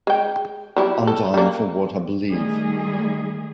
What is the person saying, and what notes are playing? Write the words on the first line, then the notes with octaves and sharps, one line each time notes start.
I'm dying for what I believe.
G#3 G5
F#3 G3 E4
A4
G3 A#3
D#3 G3 A3 G#4